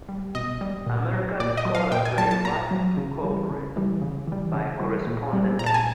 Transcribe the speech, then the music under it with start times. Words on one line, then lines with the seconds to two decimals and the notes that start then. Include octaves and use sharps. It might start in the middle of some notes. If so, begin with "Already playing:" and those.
American scholars were invited to co-operate, by correspondence.
0.09 G3
0.35 B2 D#5
0.61 G3
0.87 A#2
1.13 F#3
1.40 A#2 D5
1.57 D#5
1.65 F#3
1.75 F5
1.92 A#2 G5
2.05 G#5
2.18 F#3 A5
2.31 A5
2.44 A#2 A#5
2.71 F#3
2.97 C#3
3.23 E3 G3
3.50 C#3
3.76 E3 G3
4.02 C#3
4.28 E3 G3
4.54 C#3
4.80 E3 G3
5.07 A#2
5.33 G3
5.59 A#2 A#5
5.66 A5
5.74 G#5